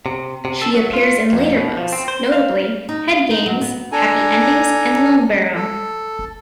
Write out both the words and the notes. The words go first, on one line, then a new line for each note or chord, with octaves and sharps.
She appears in later books, notably "Head Games", "Happy Endings", and "Lungbarrow".
C3
C3
A4
F#3
F4
F2
B2
F3
C4
C5
F5
D#4
F5
D#4
F#3
B3
D4 A4 G#5 A#5
A4